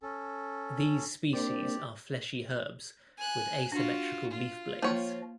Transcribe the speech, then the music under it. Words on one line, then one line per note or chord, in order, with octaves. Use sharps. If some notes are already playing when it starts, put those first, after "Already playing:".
These species are fleshy herbs, with asymmetrical leaf blades.
C#4 A4
A#3 C4 D4 G4 D5
G#5 F#6
D4 F4 F#4
F4
F3 A#3 C#5